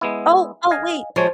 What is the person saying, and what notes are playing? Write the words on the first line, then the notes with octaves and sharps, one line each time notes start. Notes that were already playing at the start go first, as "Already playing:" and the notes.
Oh, oh, wait.
G#3 B3 E4
D#5 F5 G#5
F3 F#3 G#3 C#5